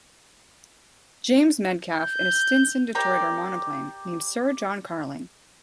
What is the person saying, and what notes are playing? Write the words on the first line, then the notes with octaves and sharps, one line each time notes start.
James Medcalf in a Stinson Detroiter monoplane named "Sir John Carling".
G6
G4 A#4 D5 G5